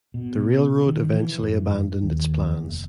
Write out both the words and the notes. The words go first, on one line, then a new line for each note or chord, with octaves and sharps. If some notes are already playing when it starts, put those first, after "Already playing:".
The railroad eventually abandoned its plans.
B2
D#3
E3
F#2
D#2
F1